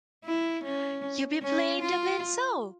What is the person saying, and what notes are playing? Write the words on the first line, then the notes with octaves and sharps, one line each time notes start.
You'll be playing Dublin Soul!
E4
C#4
C#4
F4